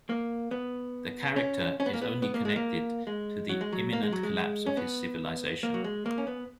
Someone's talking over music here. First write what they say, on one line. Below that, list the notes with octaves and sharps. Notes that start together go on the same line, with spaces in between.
The character is only connected to the imminent collapse of his civilization.
A#3
B3
C#4
C#4
B3
A#3
B3
B3
A#3
G#3
A#3
G#3
F#3
G#3
F#3
A#3
G#3
F#3
G#3
C#4
B3
A#3
F#3
G#3
A#3
C#4
B3